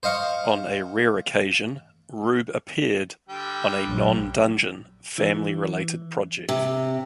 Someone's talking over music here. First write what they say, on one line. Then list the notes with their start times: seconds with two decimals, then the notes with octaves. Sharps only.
On a rare occasion, Rube appeared on a non-Dungeon Family related project.
0.03 C5 D#5 F5 C#6
3.29 D3 G3 G5
3.88 A#1 F#2
5.18 E3
6.49 C3